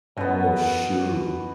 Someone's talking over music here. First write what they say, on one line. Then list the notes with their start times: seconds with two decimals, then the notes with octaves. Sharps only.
Oh, shoot.
0.17 B2 B3